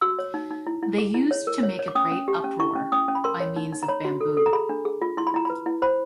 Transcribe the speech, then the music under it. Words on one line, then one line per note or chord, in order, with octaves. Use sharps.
They used to make a great uproar by means of bamboo.
F#4 E6
C#5
D#4
D#4
E4
E4
G#4
E4
C#5
A#4
C#5
C#5
D6
C#4 D#6
C#4
G4
C#4
E4 C#6
C#4
C#4 D#6
C#4
B5
A#4 C6
C#5
D#4
D#4
A#5
C#5 B5
F#4
A4
A4
A#5
G#4 B5
D4
G#4
F4
E4 C6
B5
E4 A#5
B4 B5
E4
C5 B5